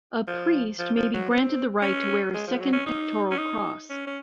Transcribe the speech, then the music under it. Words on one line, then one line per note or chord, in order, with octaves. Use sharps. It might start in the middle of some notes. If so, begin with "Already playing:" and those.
A priest may be granted the right to wear a second pectoral cross.
F3
F3
F3
F#3
C4
C#4
G#3
F3
F#3
C#4
D#4
C#4
D#4
C#4
C#4